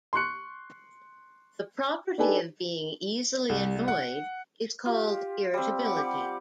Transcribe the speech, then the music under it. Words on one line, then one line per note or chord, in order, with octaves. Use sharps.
The property of being easily annoyed is called irritability.
C6 C#6 F#6 C#7
D4 D#4 G4 A4 B4 G#5
C2
F#5
F4 G4
G3 C4
F#5 B5 D6
G4